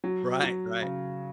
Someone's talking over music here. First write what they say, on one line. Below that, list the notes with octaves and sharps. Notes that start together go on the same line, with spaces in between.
Right, right.
F#3
F#3
C#3